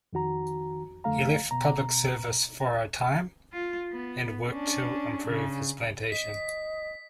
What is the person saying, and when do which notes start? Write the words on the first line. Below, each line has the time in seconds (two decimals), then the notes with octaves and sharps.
He left public service for a time, and worked to improve his plantation.
0.13 F2 D#3 F#4 A#5
1.04 F2 D3 A3 F5 A#5
1.51 B2 A#5
3.53 F4
3.92 B3
4.49 C#4 D4
5.27 C#3
6.12 D#5 B6